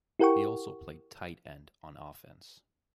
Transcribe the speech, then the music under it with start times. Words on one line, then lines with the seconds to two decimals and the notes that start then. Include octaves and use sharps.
He also played tight end on offense.
0.19 E4 G4 A#4 F#5 G5 C#6